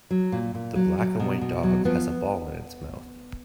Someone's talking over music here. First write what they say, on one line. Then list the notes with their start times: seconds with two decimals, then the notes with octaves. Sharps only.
The black and white dog has a ball in its mouth.
0.11 F#3
0.32 A#2
0.55 A#2
0.75 F#3
0.98 F#3
1.20 B2
1.41 B2
1.63 F#3
1.85 F3 B3